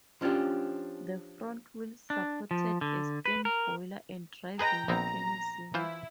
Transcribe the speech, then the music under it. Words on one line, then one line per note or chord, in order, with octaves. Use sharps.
The front wheel supported a steam boiler and driving mechanism.
F3 C#4 D4 F4 G4
D4
F3
D3
B4
A#4
G#4 B4 D#5 G5 A#5
A#1 B3 C4 A#5
E3 E4 F4 C5